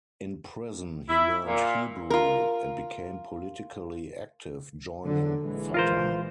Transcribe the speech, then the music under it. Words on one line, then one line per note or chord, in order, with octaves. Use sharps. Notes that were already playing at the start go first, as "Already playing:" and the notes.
In prison, he learned Hebrew, and became politically active, joining Fatah.
E4
A#2
F4 A#4
D3 F#3
A#1 E3 G#3
F4 A#4 C5